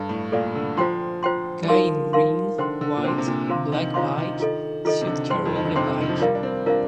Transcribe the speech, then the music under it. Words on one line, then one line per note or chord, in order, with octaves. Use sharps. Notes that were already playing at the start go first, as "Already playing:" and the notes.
Guy in green, white, and black bike suit carrying a bike.
Already playing: G2 A4 D5 F5
A2
A#2 A4 D5 F5
D3
F3 F4 C5 G5 C6
F4 C5 G5 C6
G3
F3 D#4 A#4 F5 C6
D#4 A#4 F5 C6
D3 C5 G5 C6
D3
A#2
C3 C5 G5 C6
C3
A#2
C3 F4 C5 F5 C6
D#3
D#3 F4 C5 F5 C6
D#3
F4 A4 D#5
D#3 F4 A4 D#5
C3
D3
G2 C5 G5 C6
F2
D#3
D3
C3 C5 G5 C6
D3
D#3
F3
G3 F4 A#4 D5 F5
D4
C4
D4 F4 A#4 D5 F5